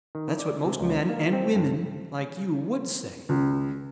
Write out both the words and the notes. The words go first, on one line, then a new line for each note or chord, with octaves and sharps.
That's what most men--and women--like you WOULD say.
D#3
D5
C3
C#2
A#3
C4
G2
C#2